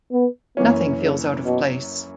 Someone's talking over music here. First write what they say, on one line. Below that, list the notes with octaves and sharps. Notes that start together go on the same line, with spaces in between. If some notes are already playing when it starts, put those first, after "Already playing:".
Nothing feels out of place.
B3
F#2 E3 A#3 B3 C#4
C#3
B2